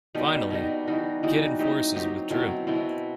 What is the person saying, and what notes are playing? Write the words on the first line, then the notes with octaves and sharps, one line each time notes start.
Finally, Khitan forces withdrew.
B2 G3 D#4
B2 G3 D#4
E3 G3 D#4 F#4
E3 G3 D#4 F#4
F#3 C4 D#4 G4
F#3 C4 D#4 G4
B2 F#3 C4 E4
B2 F#3 C4 E4